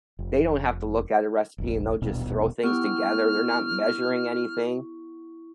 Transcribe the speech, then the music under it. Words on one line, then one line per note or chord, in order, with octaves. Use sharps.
they don't have to look at a recipe and they'll just throw things together. They're not measuring anything.
F1
F1 A#1
D#1 A#1 B2 D4
B3 E4 G4 C#6 F6